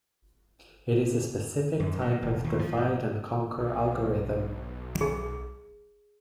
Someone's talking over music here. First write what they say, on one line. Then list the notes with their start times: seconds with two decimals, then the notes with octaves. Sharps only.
It is a specific type of divide and conquer algorithm.
1.80 F#2
2.01 A#2
2.22 E1
2.44 D#2
2.59 F3
2.77 G#2
3.58 B1
5.01 G#4